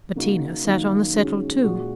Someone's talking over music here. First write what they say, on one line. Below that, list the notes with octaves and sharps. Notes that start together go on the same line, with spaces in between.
Bettina sat on the settle, too.
C#3 A#3 D#4 F#4
F#2 D#3 A#3 D#4 F#4
D#3 G#3 C#4 F#4
A#2 G#3 F#4